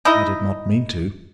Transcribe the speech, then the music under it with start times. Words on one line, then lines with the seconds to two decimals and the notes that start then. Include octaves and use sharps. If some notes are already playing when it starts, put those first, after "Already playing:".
I did not mean to.
0.05 D#4 E4 D#5